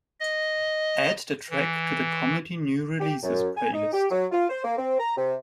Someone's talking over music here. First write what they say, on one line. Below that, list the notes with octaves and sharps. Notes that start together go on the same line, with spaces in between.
Add the track to the comedy new releases playlist.
D#5
E3
G4
F#2
G#5
D#4
G4
F#3
F4
C5
A#3
C4
A#5
C3